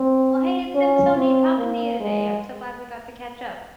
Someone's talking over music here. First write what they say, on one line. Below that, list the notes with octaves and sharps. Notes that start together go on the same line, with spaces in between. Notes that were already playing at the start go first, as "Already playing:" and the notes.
Well, hey, it's been so neat talking to you today. I'm so glad we got to catch up.
Already playing: C4
C#4
C4
A#3
G#3